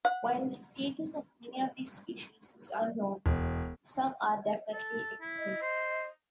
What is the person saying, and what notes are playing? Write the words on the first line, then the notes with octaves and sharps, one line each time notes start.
While the status of many of these species is unknown, some are definitely extinct.
F#5
E1
A4
E4
D#5
C5